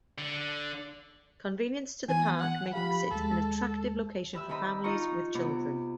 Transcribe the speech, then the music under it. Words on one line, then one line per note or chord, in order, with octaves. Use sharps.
Convenience to the park makes it an attractive location for families with children.
D3
E3 B3 G#5
F#5
F3 G4 F5 B5
D#2 G#3 A4
G4 B4 E5 E6
D#3 C4 D#5 B5
D#4 F4 D#5 A#5 C#6
C3 B3 D6